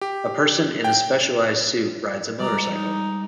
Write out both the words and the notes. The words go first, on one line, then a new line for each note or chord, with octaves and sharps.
A person in a specialized suit rides a motorcycle.
G4
G5
G3 G#3 D5 A#5
D#4